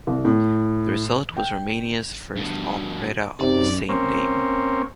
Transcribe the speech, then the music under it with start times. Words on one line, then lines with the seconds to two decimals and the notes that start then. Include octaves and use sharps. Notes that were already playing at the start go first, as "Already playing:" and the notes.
The result was Romania's first operetta of the same name.
0.07 C2
0.25 A2
1.37 G5
2.36 G2 B2
3.40 F#2 C3 D#4 D5
3.89 A#3 C4 C#4